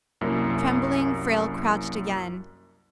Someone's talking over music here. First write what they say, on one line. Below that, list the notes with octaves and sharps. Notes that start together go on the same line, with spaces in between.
Trembling, Frale crouched again.
C2 F#2 A#3 E4